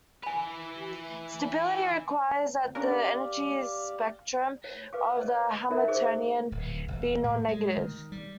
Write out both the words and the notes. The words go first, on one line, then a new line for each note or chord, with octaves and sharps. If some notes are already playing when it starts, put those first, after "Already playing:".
Stability requires that the energy spectrum of the Hamiltonian be nonnegative.
E3 B4 G#5 B5
F2
C#4 D4 G4 A#4 D5 F5
C#5
B4 F5 D6
C#5 D#5
D#4 A#4 C#5 D5 E5 A#5
G#4 C5 D6
D1
E1
A2
G#3
D#3
G3